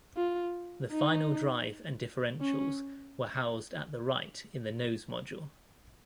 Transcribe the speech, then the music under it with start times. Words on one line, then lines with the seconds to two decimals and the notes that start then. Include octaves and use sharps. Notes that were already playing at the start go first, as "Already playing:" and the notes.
The final drive and differentials were housed at the right in the nose module.
0.17 F4
0.92 D#4
2.41 C#4